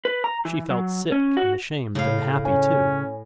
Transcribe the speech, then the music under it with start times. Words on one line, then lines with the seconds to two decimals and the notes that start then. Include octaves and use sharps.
She felt sick and ashamed and happy, too....
0.05 B4
0.24 A#5
0.45 E3
0.70 F#3
1.12 C#4
1.37 F#4
1.95 A2 C#3 F5
2.45 C#4 C#5 G#5